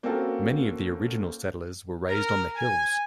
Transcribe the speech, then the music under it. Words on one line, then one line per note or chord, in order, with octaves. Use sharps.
Many of the original settlers were raised on the "hills".
A#3 C4 C#4 F4 F#4 A4
A#4
G#5